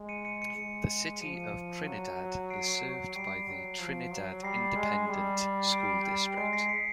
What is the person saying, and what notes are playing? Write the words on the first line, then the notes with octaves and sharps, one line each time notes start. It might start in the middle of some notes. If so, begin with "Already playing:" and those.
The City of Trinidad is served by the Trinidad Independent School District.
Already playing: G#3
C#7 D#7
C#7 D#7
C#7 D#7
G#3
F3 C#7 D#7
F#3
C7 D7
G3 C7 D7
F#3
F3
F#3
G3 A#6 C7
G#3
G3
C7 D7
G#3 C7 D7
A#6 C7
B6 C#7